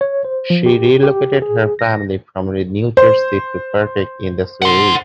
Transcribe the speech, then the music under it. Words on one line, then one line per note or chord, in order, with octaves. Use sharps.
She relocated her family from New Jersey to partake in the series.
C#5
C5
F3
G4
G4
G#4
A#6
C5
F#5 C6